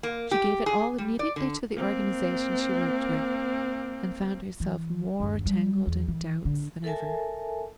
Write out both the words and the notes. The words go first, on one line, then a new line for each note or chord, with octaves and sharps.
She gave it all immediately to the organization she worked with, and found herself more tangled in doubts than ever.
A#3
G4
G#4
G3
D5
D3
A#3 C4
E3
G1 D#2
G3
E2
E3
D3
A4 A#4 E5 G#5 A5